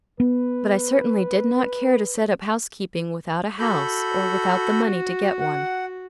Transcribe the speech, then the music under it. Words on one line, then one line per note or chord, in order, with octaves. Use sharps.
But I certainly did not care to set up housekeeping without a house or without the money to get one.
B3 B4
F#4 A4 B5 G6
F#5